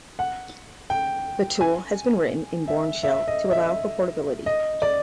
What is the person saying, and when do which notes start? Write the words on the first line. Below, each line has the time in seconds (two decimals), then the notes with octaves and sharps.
The tool has been written in Bourne shell, to allow for portability.
0.19 F#5
0.90 G5
1.61 G#5
2.68 E5
3.03 E5
3.28 D#5
3.51 E5
4.46 D#5
4.82 D5